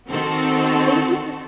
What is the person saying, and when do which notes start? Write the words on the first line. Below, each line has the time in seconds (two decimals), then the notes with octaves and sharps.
Thank you fo
0.10 D#3 C4 F#4 A4